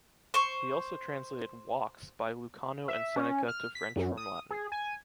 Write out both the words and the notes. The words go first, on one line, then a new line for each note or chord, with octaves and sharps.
He also translated woks by Lucano and Seneca to French from Latin.
C5 C#6
E5
C#4
F6
B6
F#2
D#6
G#4
G#5